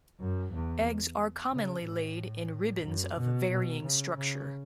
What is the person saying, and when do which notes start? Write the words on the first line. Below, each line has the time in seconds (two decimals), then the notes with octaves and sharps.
Eggs are commonly laid in ribbons of varying structure.
0.20 F#2
0.54 E2
1.52 C#3
1.85 A2
2.84 F#2
3.17 B2
3.51 B2
3.83 C#3
4.17 C#3